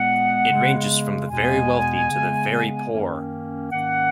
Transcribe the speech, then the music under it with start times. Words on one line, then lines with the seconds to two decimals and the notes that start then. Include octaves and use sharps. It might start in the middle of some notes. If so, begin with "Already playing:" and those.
It ranges from the very wealthy to the very poor.
Already playing: A#2 G#3 B3 F#5
0.49 C#3 G#3 B3
1.29 E2 B2 G#3 B3 G#5
2.10 C#3 G#3 B3
2.91 F#2 D#3 A#3 C#4
3.71 G#2 D#3 A#3 C#4 F#5